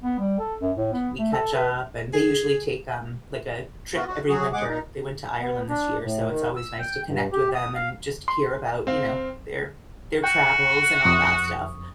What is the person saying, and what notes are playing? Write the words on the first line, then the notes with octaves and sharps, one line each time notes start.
we catch up, and they usually take, um, like, a trip every winter, they went to Ireland this year so it's always nice to connect with them and just hear about, you know, their their travels and all that stuff.
B3
G3
A4
F#2
A2
B3
A3
A4
B4
G#4
B3 F4 F#4
F#4
F#3 F#4 G#4
D#2 G#3 G#4 F#5 D6
D#4
B3
D4
A2
D#3
E6
G5
G2
G4
D#6
F5
C6
C4 F5
F#4 G5
F2 C#6 D#6